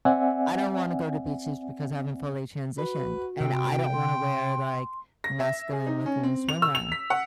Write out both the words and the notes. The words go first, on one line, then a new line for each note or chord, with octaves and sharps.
I don't wanna go to beaches because I haven't fully transitioned, and I don't wanna wear, like, masculine-looking swimwear.
C4 D5 E5 F#5 G#5
F#4 B4
C3 G5
C6
A#6
E5
G#4
D#4
C#4
C4
F7
E6
F7
B6
F#5